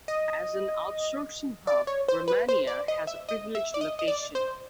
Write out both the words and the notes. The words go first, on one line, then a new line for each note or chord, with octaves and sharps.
As an outsourcing hub Romania has a privileged location.
D#5
D5
C#5
C5
B4
C5
D5
D#5
E5
D#5
E5
D5
D#5
D#5
D5
C5